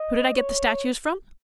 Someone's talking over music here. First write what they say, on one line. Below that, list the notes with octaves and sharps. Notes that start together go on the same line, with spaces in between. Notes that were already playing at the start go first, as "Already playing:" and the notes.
Who did I get the statues from?
Already playing: D#5
C#5